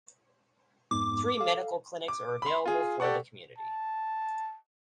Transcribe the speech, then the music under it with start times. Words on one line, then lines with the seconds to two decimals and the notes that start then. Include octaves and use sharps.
Three medical clinics are available for the community.
0.91 F2 G#2 B3 D6
1.37 A4 F5
2.08 D6
2.42 B5 C6
2.66 F4 G#4
3.00 G4 A4 D5 F#5 C#6
3.58 A5